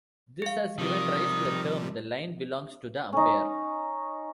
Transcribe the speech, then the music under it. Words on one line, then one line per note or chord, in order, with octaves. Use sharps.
This has given rise to the term the line belongs to the umpire.
G#4 F5
C3 D#3 F3 G3
C#4 D#4